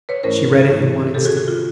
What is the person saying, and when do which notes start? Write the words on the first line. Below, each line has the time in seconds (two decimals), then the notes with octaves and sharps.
She read it in one instant.
0.09 B4 C#5
0.23 G#2 E3 A3 C#4 E4 A#4 C5
0.69 G#2 E3 A3 C#4 E4
1.14 C3 D#3 G#3 G4 A4
1.25 F#4 G#4
1.37 F#4
1.48 F4